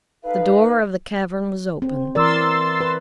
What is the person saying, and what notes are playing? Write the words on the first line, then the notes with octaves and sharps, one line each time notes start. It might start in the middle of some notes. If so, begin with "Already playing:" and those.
The door of the cavern was open.
D#4 A4 B4 F5
C4
E3 A#4 D5 C6 E6 A6
B4